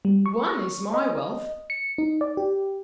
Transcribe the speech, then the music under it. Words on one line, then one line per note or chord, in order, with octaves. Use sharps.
ONE is my wealth!
G3
C#6
D#5
C#7
D#4
D5
G4